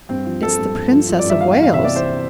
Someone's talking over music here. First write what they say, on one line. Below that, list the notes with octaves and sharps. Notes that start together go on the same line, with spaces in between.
"It's the Princess of Wales."
G2 C4
F3
F3 A4
G2
G2
F3
F3
D5
G2
E5
E2 F5
F5
E2
F5
C3 E5
D5
E3
C5